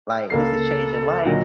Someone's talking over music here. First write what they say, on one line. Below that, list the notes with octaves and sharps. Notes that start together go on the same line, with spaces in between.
like, this is changing life,
C#2 A#3 A4 C7
A#2 D3 F#3 D#5